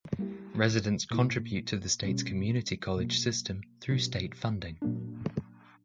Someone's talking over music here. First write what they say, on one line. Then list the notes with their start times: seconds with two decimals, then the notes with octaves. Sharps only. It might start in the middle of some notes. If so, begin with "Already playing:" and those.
Residents contribute to the state's community college system through state funding.
0.19 G3 A#3 E4 G4
1.11 A#2 A#3 E4
2.05 B2 G3 C#4
2.97 B2 F#3 A#3
3.90 B2 F#3 B3 D4 G4
4.82 A#2 F#3 A#3 D4